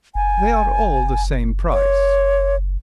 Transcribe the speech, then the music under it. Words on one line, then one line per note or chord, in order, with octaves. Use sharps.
"They are all the same price."
F#1 G#5
C#5